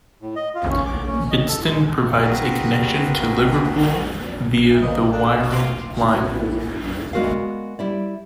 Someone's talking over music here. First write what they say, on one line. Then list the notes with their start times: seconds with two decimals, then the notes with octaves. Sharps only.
Bidston provides a connection to Liverpool via the Wirral Line.
0.22 A2
0.36 D#5
0.55 F4
0.70 C#4
0.86 D6
1.06 C#4
1.31 D#5
1.49 A4
1.67 G#3
2.22 C4 F#4 G#4 A#4 B4
4.82 A#3 B4 C5 D5 D#5
5.13 D4 A4
5.53 F4 C6 D6 C7
6.13 B3 E4 F#4
7.13 G#3 B3 F#4 A#4 D5 F5
7.79 G3 E4 D5